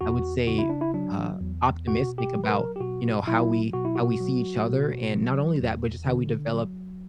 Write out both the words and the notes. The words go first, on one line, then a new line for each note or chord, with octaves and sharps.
I would say, uh, optimistic about, you know, how we how we see each other, and not only that, but just how we develop,
E2 F#4
C#3 F#4
E4
D4
E4
F#3 D4
E2
B2 F#4
G4
F#3
B4
A#4
G4
B2 F#4
F#3 E4
B2 F#4
E4
F#4
F#3
B2
F#3
E2
D3
F#3